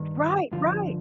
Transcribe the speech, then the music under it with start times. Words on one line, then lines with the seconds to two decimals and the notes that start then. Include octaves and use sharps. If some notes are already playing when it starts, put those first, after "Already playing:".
Right, right!
Already playing: G2 D#3
0.52 G2 D3 F3 F4